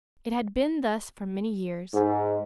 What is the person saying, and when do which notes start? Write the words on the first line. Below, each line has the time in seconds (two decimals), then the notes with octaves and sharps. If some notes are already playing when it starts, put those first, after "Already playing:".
It had been thus for many years.
1.93 G#2